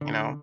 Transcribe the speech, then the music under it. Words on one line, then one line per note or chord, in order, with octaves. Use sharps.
You know?
D3